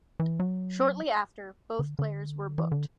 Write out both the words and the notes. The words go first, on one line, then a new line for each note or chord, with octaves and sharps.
Shortly after, both players were booked.
E3
F#3
D3
D3
E3
D3